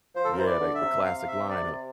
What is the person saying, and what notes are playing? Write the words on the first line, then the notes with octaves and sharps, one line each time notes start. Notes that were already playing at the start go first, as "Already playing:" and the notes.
Yeah, they the classic line of
F3 C5
A4
A#4
E3 C5
D5
D3
E5
C3
F5
F5
E5
D5